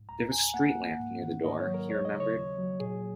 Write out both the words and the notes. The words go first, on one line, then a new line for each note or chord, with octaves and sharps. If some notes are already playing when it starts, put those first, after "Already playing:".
There was a street lamp near to the door, he remembered.
Already playing: G#2
C#2 A#5
C#2 G#5
A#3 F#5
A#3
G#2
D#3
G#2 D#5
C#5
F#3
A#4
D#2 C#5
D#5
C#3
C#5
D#2
F#3
A#2 G#4